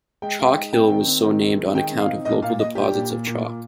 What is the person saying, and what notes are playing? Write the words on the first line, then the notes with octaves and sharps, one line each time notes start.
Chalk Hill was so named on account of local deposits of chalk.
G#3 G5
G#3 F5
G5
D#4
C4 G5
D#3
C4
D#3
C4
G#3
D#3 G5
C4
F5
D#4
A#2 D#5
A#2 F5
A#2 D#5
D4 G4
A#2
A#2
A#2
A#2